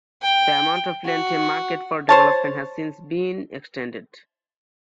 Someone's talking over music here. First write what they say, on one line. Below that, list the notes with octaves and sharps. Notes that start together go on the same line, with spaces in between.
The amount of land earmarked for development has since been extended.
G5
F#4
C5 C#5 A5